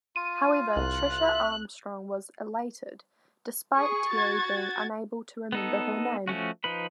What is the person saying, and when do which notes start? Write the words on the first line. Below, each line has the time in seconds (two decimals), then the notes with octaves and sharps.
However, Tricia Armstrong was elated, despite Terry being unable to remember her name.
0.16 F4 D#7
0.76 C2 F#6
1.21 E5
3.76 G#4 C#6
4.11 F#4 G#6 A6
5.52 B3 D#4 A4
6.28 F3 A3 C#4 F#4
6.64 F3 D#4 B4 B5